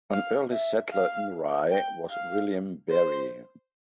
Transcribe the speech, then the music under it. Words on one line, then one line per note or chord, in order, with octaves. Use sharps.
An early settler in Rye was William Berry.
F5
E5
F5
G5
F5
C5